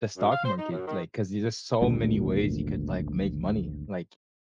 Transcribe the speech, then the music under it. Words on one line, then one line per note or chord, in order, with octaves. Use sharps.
the stock market, like, 'cause there's just so many ways you could, like, make money, like,
F#2
F5
C5
D#4
F#2
D#3
G#1 D2 A#2 G3